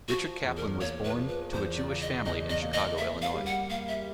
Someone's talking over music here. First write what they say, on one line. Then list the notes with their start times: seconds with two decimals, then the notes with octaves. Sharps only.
Richard Kaplan was born to a Jewish family in Chicago, Illinois.
0.08 F3 F#4
0.44 E2
0.57 A#4
0.81 A#3 C#5
1.04 B4
1.17 F3
1.29 B4
1.53 E2 C5
1.77 D5
1.89 C#3
2.01 D#5
2.25 E2 D#5
2.50 D#5
2.62 A#3
2.73 D#5
2.98 A#3 E5
3.22 F5
3.34 G3
3.46 F#5
3.70 A#3 F5
3.88 E5